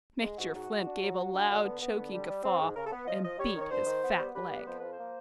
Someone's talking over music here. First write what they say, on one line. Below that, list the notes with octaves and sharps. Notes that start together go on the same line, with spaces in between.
Major Flint gave a loud, choking guffaw and beat his fat leg.
G#3
G#2 F#4
G#2 F#4
G#3
D4
F#3
F#3
D4
D3
B3
B3
D3
G3
G3
C4
G#2
C#3 A#4
A4
B3
F3 D#5
F3 D#5
G3 C#5
D#3
C#5
G2 C5
D#3
B3
G3
G3 B4
B3
F2 C5
F3 B4
C5
A#3